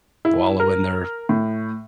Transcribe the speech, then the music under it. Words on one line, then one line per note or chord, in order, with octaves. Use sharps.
wallow in their
E4
A#4
A2